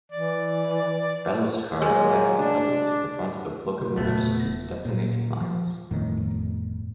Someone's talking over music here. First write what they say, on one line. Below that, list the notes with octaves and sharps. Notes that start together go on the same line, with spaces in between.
Ballast cars had to be coupled to the front of locomotives to detonate mines.
E3 D5
A#2 F#3 G#3
D4
E1 A#2 C#3 A3 B3
A#2
F3
G1 F2 A2 D#3